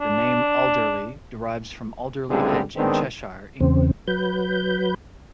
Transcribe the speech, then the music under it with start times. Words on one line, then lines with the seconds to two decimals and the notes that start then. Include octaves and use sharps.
The name "Alderley" derives from Alderley Edge in Cheshire, England.
0.01 D4
2.29 C#2 A2 D3 G3 C4 G#4
2.76 D#3 G#3 B3 C4 D4
3.60 E2 C#3 C4
4.07 F#3 B4 G6